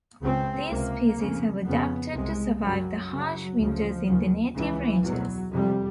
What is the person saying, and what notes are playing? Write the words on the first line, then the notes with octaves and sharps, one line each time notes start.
These species have adapted to survive the harsh winters in their native ranges.
C#2 C#3 C4
C#2 C3 A#3
F2 C#3
F2 C#3 B3
C2 C3 G#3
F#2 C#3 F#3
F#2 C#3 F#3
D2 C#3 F3
D#2 C#3
C#2 C#3 E3
E2 B2 F#3
F2 C3 G3